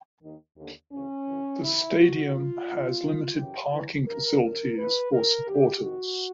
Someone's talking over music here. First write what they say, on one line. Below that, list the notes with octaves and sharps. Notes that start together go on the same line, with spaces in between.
The stadium has limited parking facilities for supporters.
D#2 D#3
D#2 D3
D2 C#3 E3 C#4
F#2 C#3 E3
E2 C3 E3 E4
F2 D3 F#4
F2 C#3 E3 F4
D2 C#3 E3
G#2 E3
F#2 C#3 E3 G4
G2 E3
G2 E3 A#4
F#2 D3 A#4
D2 C#3 E3 B4
D#2 C#3 E3 A#4
D#2 C#3 E3 G4
F2 C3 D#3 F#4